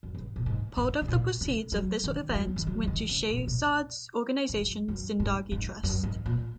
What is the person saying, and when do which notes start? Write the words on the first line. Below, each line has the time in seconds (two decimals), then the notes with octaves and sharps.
Part of the proceeds of this event went to Shehzad's organisation Zindagi Trust.
0.03 F#2
0.15 G#2
0.36 A#2
0.46 G#2
0.77 G#2
1.02 C#3
1.08 A#2
1.41 C#3
1.72 F#3
2.04 D#3
2.30 G#3
2.35 F#3
2.56 D#3
2.67 F#3
2.84 C#3
2.87 D#3
3.09 C#3
3.30 A#2
3.38 C#3
3.47 A#2
4.49 G#2
4.57 F#2
4.88 F#2
5.20 G#2
5.52 G#2
5.83 F#2
6.03 G#2
6.26 A#2